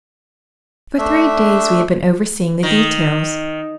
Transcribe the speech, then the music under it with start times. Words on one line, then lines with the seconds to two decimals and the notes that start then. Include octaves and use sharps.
For three days we had been overseeing the details.
0.98 A3 D4 E5
2.63 D#3